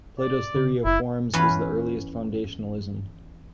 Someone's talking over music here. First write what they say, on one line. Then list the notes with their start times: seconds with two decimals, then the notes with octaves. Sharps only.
Plato's theory of Forms is the earliest foundationalism.
0.20 D5
0.56 C#3
0.85 F#1 E4
1.33 E2 C#4 F#4 B4 F5